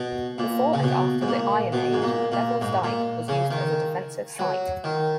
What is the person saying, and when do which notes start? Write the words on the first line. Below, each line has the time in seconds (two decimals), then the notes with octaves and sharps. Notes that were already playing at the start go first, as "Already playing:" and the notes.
Before and after the Iron Age, Devil's Dyke was used as a defensive site.
Already playing: B2
0.38 A#2
0.73 C#3
0.83 B2
1.21 G#2
1.28 A#2
1.72 B2
1.93 G#2
2.02 A#2
2.32 A#2
2.61 G#2
2.84 A#2
3.28 C#3
3.51 D#3
4.39 F#3
4.84 D#3